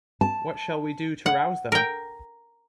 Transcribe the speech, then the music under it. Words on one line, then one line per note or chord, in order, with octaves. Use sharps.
What shall we do to rouse them?
A5
F#5
A#4 G5